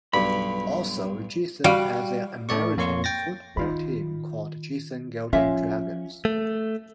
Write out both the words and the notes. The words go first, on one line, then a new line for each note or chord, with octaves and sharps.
Also, Giessen has an American football team called Giessen Golden Dragons.
B1 G2 B5
G3 F#4 F5
A2 A3 D5 C#6
F2 A#3 C#5 C6 C#6
G5 A6 A#6
D#3 D#4 F4 B5
F3 C#4 F4 E5 F5 G#5
A3